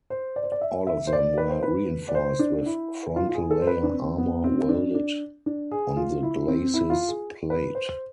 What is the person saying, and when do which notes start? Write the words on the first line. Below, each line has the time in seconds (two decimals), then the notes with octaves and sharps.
All of them were reinforced with frontal layer armor welded on the glacis plate.
0.10 C5
0.36 D5
0.44 C5
0.52 D5
0.61 E5
0.87 E5
1.07 C5
1.13 D5
1.38 B4
1.50 C5
1.63 B4
2.09 D5
2.15 C5
2.39 D4
2.66 E4
3.16 F4
3.29 F4
3.34 G#4
3.51 A4
3.62 C5
3.67 B4
3.83 D4
3.92 C4
4.18 B3
4.44 C4
4.69 D4
4.95 D4
5.46 D4
5.71 G#4
5.97 F4
6.23 E4
6.48 C4
6.74 E4
6.90 F4
7.08 G#4
7.50 B4
7.75 C5